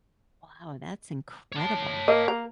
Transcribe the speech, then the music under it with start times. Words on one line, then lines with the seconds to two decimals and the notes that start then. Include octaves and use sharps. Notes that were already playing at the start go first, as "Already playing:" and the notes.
Wow, that's incredible.
1.52 C#5 A5
2.08 A#3 D#5
2.28 A#4